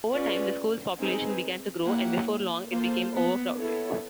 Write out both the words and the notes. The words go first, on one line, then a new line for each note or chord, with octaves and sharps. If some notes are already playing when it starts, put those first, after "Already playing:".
Over time, the school's population began to grow, and before long, it became overcrowded.
C#4 F4 G#4 B4 D5
C4 D#4 G#4 B4
A#3 E4 G4 A#4 C#5 F#5
A#3 F4 A4 C5
B3
B3 E4 A4 C#5